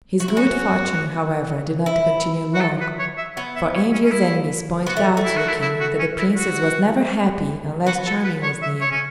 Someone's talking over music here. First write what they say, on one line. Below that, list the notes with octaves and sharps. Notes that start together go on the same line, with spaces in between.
His good fortune, however, did not continue long, for envious enemies pointed out to the King that the Princess was never happy unless Charming was near.
F#4
E4
C#4 F#4
E4
F#4
A4
B4
C#5
E5
B3 C#5
E5
C#5
C#4
C#4
E4
B3 F#4
A3
A3
E4
F#4
E4
E4
F#4
C#4
E4
F#4
B3 F#4
A4
B4
C#5
E5
C#5
C#4